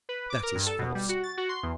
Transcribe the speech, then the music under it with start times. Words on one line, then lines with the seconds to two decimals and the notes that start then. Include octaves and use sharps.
That is false.
0.09 B4
0.30 D6
0.43 A#4
0.55 G2
0.67 A4
0.79 B2
0.95 G3
1.09 F#4
1.23 A6
1.37 F#4
1.49 C6
1.63 E2